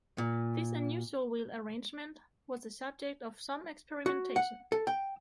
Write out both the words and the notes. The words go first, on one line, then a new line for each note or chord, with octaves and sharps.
This unusual wheel arrangement was the subject of some experimentation.
A#2
F#4
F#5
A4
G5